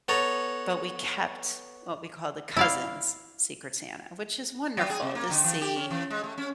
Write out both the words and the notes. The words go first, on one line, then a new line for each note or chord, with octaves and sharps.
But we kept what we call the cousins' Secret Santa, which is wonderful to see
B3 A4 C#5 A#5
E4 D5 F5
F#3
G#4
C3
A#3
D3
E3
G4
C#4
E3
G#3
A3
C#4